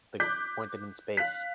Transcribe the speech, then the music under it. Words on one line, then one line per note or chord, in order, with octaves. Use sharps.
the pointed in space,
D6 F#6 G6 B6
F5 F#6 B6